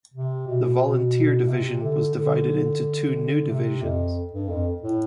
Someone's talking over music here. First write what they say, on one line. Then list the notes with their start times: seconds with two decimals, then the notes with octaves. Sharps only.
The Volunteer Division was divided into two new divisions.
0.14 C3
0.47 B2
0.80 B2
1.48 C3
1.81 D3
2.14 D3
3.49 C3
3.83 F2
4.33 G2
4.49 F2
4.83 A2